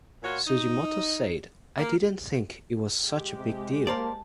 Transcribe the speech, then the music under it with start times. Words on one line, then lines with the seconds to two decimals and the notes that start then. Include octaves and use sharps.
Sugimoto said, I didn't think it was such a big deal.
0.22 A#2 F4 F#4 C#5
0.47 D#4
1.78 A#3
3.03 G#3 G4
3.36 C3
3.87 A#3 A#4 C5 D5 A5